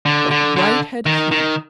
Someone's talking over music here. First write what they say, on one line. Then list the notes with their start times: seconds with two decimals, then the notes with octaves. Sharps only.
What right had he?
0.06 D3
0.31 D3
0.56 D3
1.06 D#3
1.31 D#3